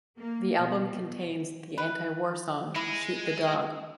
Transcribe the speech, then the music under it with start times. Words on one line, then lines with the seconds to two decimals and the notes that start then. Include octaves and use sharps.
The album contains the anti-war song "Shoot the Dog".
0.19 A#3
0.58 B2
1.78 B4
2.76 G#3 E4